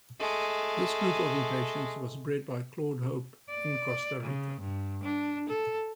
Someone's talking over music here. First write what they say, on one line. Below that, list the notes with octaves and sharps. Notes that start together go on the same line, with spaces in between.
This group of impatiens was bred by Claude Hope in Costa Rica.
G#3 A3
D5
C#3
G2
D4
A4